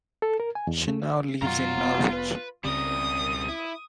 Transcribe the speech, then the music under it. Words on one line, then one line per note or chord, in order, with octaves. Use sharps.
She now lives in Norwich.
A4
A#4
G#5
E2
A3
F#2 B2 F4 F#5 A#5
F1 B3
B4
C#2 C#3 G3 C4 A#4 D#6
E4